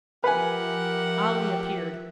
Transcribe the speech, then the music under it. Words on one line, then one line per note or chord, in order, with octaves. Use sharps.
Ali appeared.
F3 G4 A#4 B4 E5 F#5 G#5